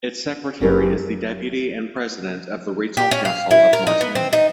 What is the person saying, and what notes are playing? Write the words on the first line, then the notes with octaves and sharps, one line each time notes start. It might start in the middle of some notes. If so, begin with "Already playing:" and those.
Its secretary is the deputy and president of the Regional Council of Martinique.
F#1 C#4 G4 A#4 B4
G4
C#4
F5
E4
A#4
D#4
B3
C4
D#4